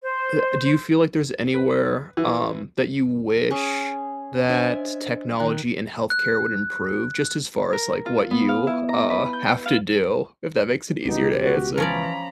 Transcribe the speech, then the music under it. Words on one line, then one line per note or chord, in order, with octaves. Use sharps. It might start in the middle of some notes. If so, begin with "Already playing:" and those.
Uh, do you feel like there's anywhere, um, that you wish that technology and health care would improve just as far as, like, what you, uh, have to do? If that makes it easier to answer.
C5
B4
E3
C#4 G#4 C#6
D4 C5 D#5 E5 G#5
D#3 F#6
F#6
A#4
F4
B3
F5
E4
A#5
B4
G6
F5
C#2 B2 D#4 G4
F#4
E3 F3 C#4 D5 A#5 B5